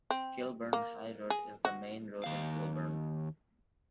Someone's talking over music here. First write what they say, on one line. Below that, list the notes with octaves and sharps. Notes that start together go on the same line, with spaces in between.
Kilburn High Road is the main road in Kilburn.
C4
A#3
G#4
F#4
D#2 F5